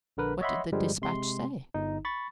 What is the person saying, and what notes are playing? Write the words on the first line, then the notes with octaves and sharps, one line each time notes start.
What did the despatch say?
A#1 D3 A#4 B4
C#5 D#5 E5 F#5 B5 C6
G2 D3 F3 G3 G#3
C3 G#3 C6
G1 D#4
B5 C#6 A6